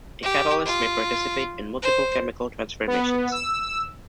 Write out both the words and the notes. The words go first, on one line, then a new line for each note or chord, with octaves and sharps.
A catalyst may participate in multiple chemical transformations.
G4
F4
C5
B3
E6